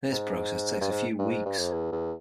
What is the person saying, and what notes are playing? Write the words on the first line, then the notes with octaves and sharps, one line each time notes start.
This process takes a few weeks.
G#2
G2
G#2
G2
G#2
G2
F2
E2
E2